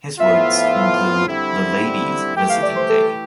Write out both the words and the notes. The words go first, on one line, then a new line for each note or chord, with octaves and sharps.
His works include "The Ladies Visiting Day".
A2 F3 B3 F4 E5
D3 G3 C4 E4
E3 A3 E4 G4 G5
F5
D5
C5
A4